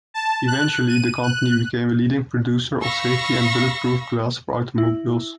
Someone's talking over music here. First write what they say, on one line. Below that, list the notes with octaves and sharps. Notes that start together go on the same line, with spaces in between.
Eventually the company became a leading producer of safety and bullet-proof glass for automobiles.
A5
F#6
D#7
F#6
F5 B5 C#6 E6 A#6
E4